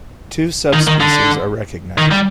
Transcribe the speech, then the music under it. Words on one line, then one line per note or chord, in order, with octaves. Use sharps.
Two subspecies are recognised.
D#3
D#3
D3
D#3
G3